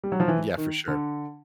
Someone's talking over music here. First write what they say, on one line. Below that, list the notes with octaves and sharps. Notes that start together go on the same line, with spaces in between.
Yeah, for sure.
G3
F#3
F3
E3
D#3
D3